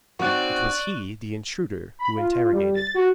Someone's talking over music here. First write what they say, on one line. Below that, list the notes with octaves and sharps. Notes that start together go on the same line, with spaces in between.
It was he, the intruder, who interrogated.
C4 D#4 F#4 C#5 D5 C#6 F#6
B5
F4
G3
A6
F#4